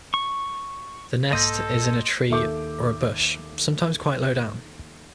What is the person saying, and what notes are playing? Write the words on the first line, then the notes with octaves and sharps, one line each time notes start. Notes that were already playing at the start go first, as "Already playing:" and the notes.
The nest is in a tree or a bush, sometimes quite low down.
C#6
B1 G#2 A#3 A4 D#5 C6 G6 A#6
D#2 A4 E5 D6 G6